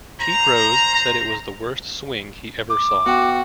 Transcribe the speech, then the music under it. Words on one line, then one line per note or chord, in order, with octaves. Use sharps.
Pete Rose said it was the worst swing he ever saw.
C5 A#5
D6
B3 F#4 G5